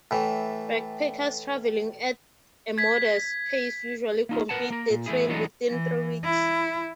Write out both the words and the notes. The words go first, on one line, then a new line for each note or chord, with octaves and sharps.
Backpackers traveling at a modest pace usually complete the trail within three weeks.
A2 E3
G#6 B6
A#3 D#4 F4
A#4 B4 C#5 F#5 A5
A#3 A#4
A#2
E3 A3 E4 G#4
E3 F#3 G#3 B3 D4 D#4
E3
E4